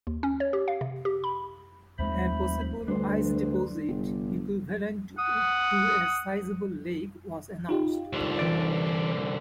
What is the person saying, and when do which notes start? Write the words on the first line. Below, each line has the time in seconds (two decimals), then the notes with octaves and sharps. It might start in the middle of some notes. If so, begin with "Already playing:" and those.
A possible ice deposit equivalent to a sizeable lake was announced.
0.07 D#2
0.23 C#4
0.40 C#5
0.53 G4
0.68 F5
0.81 C3
1.05 G4
1.24 B5
1.99 F1 D#2 G#3 C5 E5 B5
2.88 D2 G3 D4 B4 C5
3.88 G1 C3
5.19 F#5 D#6
7.69 D#4 F4 G4
8.13 C2 D3
8.39 E3 D5